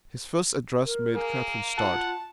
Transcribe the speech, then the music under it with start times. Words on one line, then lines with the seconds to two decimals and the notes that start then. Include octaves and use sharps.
His first address made Catherine start.
0.85 A#4
1.16 A#3 G#4
1.77 F4 F#5 A5